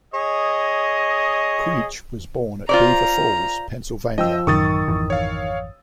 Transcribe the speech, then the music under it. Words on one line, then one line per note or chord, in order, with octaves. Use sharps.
Creach was born at Beaver Falls, Pennsylvania.
G#4 C#5 D#5
F4 C5 D5 A#5
F3 D#5 G5 E6
A1 F#2 D#3 C#6 D#6 A6
G#1 F2 E3
C#5 F5